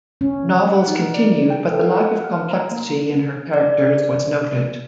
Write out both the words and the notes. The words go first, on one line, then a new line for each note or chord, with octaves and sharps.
Novels continued but the lack of complexity in her characters was noted.
C#4
F#5
D#4
D5
G5
A4
F5
F#5
F6
A#5
A#3
D5